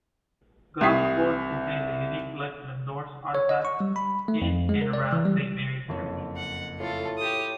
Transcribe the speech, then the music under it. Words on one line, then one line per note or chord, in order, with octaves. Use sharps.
Gosforth contains a unique collection of Norse artefacts in and around Saint Mary's Church.
C2 E4 G4 G#6 B6 C7
C#5
D#5
C#6
G3
B5
A3
F2
G#3
A#4
D5
E3
G3
F#1 F2 C#5
F#5
A2 F4 A4
G4 D#6